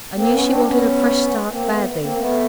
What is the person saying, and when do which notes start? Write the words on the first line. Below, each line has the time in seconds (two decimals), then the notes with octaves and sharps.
I knew she wanted a fresh start badly.'
0.16 A#3 C4
0.33 B3 C#4
0.49 C4 D4
0.66 B3 C#4
1.50 A#3 C4
1.67 A3 B3
2.02 A#3 C4
2.18 A3 B3